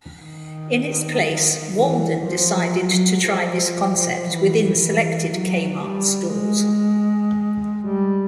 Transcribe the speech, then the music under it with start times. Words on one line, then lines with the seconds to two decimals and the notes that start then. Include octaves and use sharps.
In its place, Walden decided to try this concept within selected Kmart stores.
0.22 D#3
1.75 E3
2.26 F3
2.76 F#3
3.27 F3
4.30 E3
4.80 E3
5.31 F#3
5.82 G3
6.33 G#3
7.86 G3